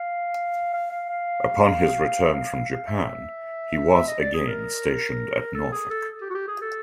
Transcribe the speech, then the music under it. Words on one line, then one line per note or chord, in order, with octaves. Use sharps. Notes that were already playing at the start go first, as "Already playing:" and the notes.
Upon his return from Japan, he was again stationed at Norfolk.
Already playing: F5
F5
F5
F5
E5
F5
F5
F5
E5
E5
D#5
D5
G#4
A#4
A4
G#4
A4
G4
F#4
G4
G#4
A4